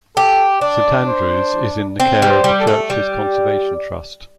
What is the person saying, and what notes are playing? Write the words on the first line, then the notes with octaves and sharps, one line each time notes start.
Saint Andrew's is in the care of the Churches Conservation Trust.
G4 A4
D4 D5
C5
C4
G3
C5
G3
A4
A3
G3